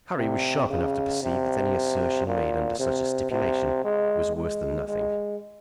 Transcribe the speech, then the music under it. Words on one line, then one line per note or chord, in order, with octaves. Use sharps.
Harry was sharp enough to perceive that any assertion made under such a stipulation was worse than nothing.
C3
C#3
C3
A#2
C3
C3
G#3
G#3
G#3